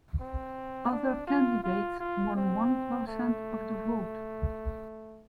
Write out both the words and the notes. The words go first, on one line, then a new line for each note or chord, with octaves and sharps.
Other candidates won one percent of the vote.
C4
D4
F4
F4
F4
C4
A3